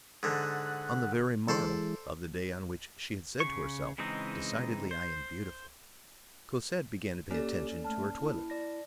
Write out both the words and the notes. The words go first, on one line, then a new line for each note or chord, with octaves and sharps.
On the very morrow of the day on which she had said to herself: "Decidedly I am beautiful!" Cosette began to pay attention to her toilet.
G#2 D3 F#5
E3 G#3 A4 C5 D5
C#3 C#6
C#3 E3 G#3 C4 D#4
C5
A#3 C#4 G4 A4 D5
A3 A5 F6
E4
D5 A#6